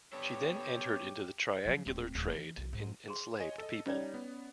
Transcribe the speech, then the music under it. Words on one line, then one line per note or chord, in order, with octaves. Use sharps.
She then entered into the triangular trade in enslaved people.
B3 D4 G4 A4 C#5
F3 F#3
D1 C4
D1
E3 D#4
B1 E3
G#2
G#4 C6
C#5 D#5 G#5
A4 D#5
G3 C#4 D#4 C#5 D5
B3